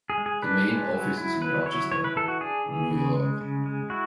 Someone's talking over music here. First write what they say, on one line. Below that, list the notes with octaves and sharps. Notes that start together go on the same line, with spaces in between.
The main office is in Rochester, New York.
G#4
G#3
G#4
D4 B4
G#3
F#3
E4
F#3 B4
E4 C#5
E3 C#5
B4
E3 A4
F#4
D4 G#4
E3
C#3
G#3
C#3
G#3
E4 F#4